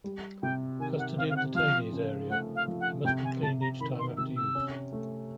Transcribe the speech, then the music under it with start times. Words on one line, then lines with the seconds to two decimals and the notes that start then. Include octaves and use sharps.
Custody of detainees area: they must be cleaned each time after use.
0.04 G3
0.42 C3 G5
0.79 D#3 G#5
0.99 F#5
1.17 C4 F5
1.30 F5
1.36 F#5
1.54 F3 F5
1.93 C#3
2.30 A3 F#5
2.55 F5
2.68 F3
2.81 F#5
3.05 C3 G5
3.24 G#5
3.43 C3 A5
3.61 A#5
3.80 D#3 B5
3.99 C6
4.17 C3 E6
4.37 E6
4.55 C#4
4.92 A3